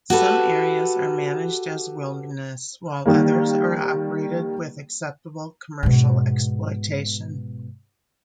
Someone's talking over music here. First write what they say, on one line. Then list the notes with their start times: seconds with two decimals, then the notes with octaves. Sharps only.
Some areas are managed as wilderness, while others are operated with acceptable commercial exploitation.
0.10 F#4 G4 A4 B4
3.06 D#3 G3 A#3
5.83 G#2 B2